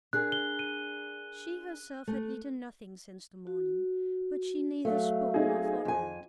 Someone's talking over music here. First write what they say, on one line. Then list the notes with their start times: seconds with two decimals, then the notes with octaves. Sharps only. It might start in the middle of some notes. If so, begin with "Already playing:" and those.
She herself had eaten nothing since the morning, but she neither spoke nor thought of that.
0.13 D4 G#4 A#4 F#6
0.32 G7
0.59 D#7
2.07 A3
3.47 F#4
4.85 F#3 A3 F5
5.34 C4 D#4 G#4
5.85 F2 G#5